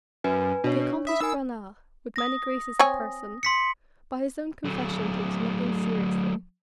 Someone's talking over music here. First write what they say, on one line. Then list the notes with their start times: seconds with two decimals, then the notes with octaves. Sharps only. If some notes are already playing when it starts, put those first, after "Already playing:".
The accomplished Bernard, with many graces of person, by his own confession, takes nothing seriously.
0.24 F#2 B4 G#5
0.64 B2 D4 C#5
1.07 E5 B5 D#6
1.20 D#4 A#4 G#5 E6
2.16 D#6 A#6
2.79 C4 C#5 G#5
3.43 C6 B6 C#7
4.65 F#3 A3